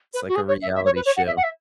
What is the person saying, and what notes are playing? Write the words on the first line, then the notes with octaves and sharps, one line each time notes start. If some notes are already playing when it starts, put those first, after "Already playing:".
It's like a reality show,
B4
F#4
G#4
C#5
E5
E5
C#5
B4
C#5
F#5
E5
F#5
E5